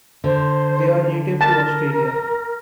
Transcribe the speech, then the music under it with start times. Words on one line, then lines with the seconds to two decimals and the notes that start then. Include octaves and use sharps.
They are native to Australia.
0.24 D3 C5
1.41 A#4 A5